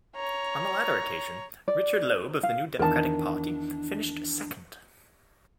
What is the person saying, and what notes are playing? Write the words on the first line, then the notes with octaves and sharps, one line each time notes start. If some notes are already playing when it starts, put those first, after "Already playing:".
On the latter occasion, Richard Loeb of the New Democratic Party finished second.
C#5 A#5
D5
F5
E2 D#3 D4 A#4 A5